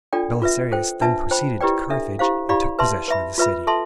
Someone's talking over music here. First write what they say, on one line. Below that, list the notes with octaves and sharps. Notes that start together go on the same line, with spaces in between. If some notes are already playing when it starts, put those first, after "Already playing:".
Belisarius then proceeded to Carthage and took possession of the city.
D4 F4 A4 D5 G5
F4 B4 E5
A4 C5 G5
D4 F4 B4 E5 A5
C5 G5 B5
E4 G4 B4 D5 G5
D4 A4 E5
E4 G4 C5 F5
E4 G4 D5 F5 B5
B4 E5 A5 C6
B4 E5 B5
F4 B4 E5 B5
A4 E5 A5 C6